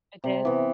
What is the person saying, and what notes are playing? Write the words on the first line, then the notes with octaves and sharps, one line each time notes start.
it did
C3
E3 B3